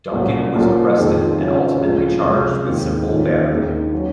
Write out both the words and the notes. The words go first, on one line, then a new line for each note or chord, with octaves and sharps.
Duncan was arrested and ultimately charged with simple battery.
C2 A#2 F#3 C#4
C2 A#2 F#3 A#3 F4
F2 D#3 G#3 C4 F4
C#3 F#3 C#4 F4
C#2 C#3 F3 C4 F4
C#2 C3 F3 G#3 C#4
D#2 D#3 G#3 C4
D#2 D#3 A#3 C#4 F4
D#2 D#3 G#3 D#4
F#3 C#4